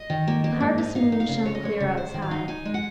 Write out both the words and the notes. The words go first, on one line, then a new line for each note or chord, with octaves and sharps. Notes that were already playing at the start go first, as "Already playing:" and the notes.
The harvest moon shone clear outside.
Already playing: D#5
D#3
A#3
A#3
G#2
D#4
D#4 F5
D#4
F5
C#3
C#3 C#5
D#5
G#3 C#5
C#3
G#2 C5
D#3
F5
D#4
D#4 G#5
G#3
F#5